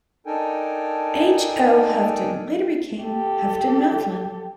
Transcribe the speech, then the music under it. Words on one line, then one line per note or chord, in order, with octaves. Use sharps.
H. O. Houghton later became Houghton Mifflin.
D4 D#4 A4 A#4 G5 G#5
G4 A4